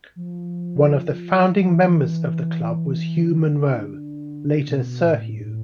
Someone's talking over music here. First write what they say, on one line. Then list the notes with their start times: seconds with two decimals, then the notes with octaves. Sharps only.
One of the founding members of the club was Hugh Munro, later Sir Hugh.
0.16 F3
1.66 E3
3.17 D3
4.68 B2
5.05 A2
5.43 A2